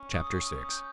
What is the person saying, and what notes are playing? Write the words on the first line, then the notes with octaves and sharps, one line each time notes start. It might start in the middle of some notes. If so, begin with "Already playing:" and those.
Chapter VI.
Already playing: C#4
D#6
D#6
D#6
G6